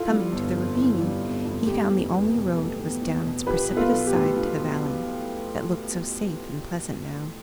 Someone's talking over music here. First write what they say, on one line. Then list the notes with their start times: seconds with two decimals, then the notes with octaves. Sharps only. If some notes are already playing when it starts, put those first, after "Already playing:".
Coming to the ravine, he found the only road was down its precipitous side to the valley, that looked so safe and pleasant now.
Already playing: E3 F4 A4
0.10 G3
0.32 G1
0.55 F2
0.77 E3
0.99 G3
1.22 G1
1.45 F2
1.67 A3 G4
1.90 E2
2.12 E2
2.34 B2
2.57 A3
2.79 E2
3.02 E2
3.24 B2
3.47 F3 G4 B4
3.69 B1
3.76 F4 A4
3.92 B1
4.07 G4
4.14 A2
4.36 F3
4.59 B1
4.82 B1